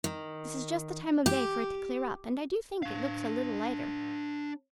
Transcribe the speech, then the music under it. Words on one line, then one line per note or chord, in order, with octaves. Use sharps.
This is just the time of day for it to clear up, and I do think it looks a little lighter.
D#3
G4
D4 F5